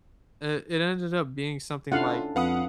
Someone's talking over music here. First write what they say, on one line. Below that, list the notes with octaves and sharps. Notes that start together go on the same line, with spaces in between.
uh, it ended up being something, like,
C#4 D4 E4 F4 A4 F5 F#5
F2 B4 F5 F#5 D#6